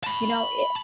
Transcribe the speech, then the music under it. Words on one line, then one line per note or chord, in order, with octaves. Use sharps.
you know, i
A5 B5